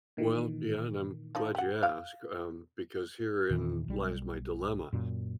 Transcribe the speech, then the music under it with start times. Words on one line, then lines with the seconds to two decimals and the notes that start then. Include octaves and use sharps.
Well, yeah, and I'm glad you asked, um, because herein lies my dilemma,
0.17 A#2 D#3 E3
1.35 F3 D#4
1.55 G4 F#5
1.83 F5
3.50 E2 A#2 D#3 E3
3.88 B1 G3
4.93 F#2 A#2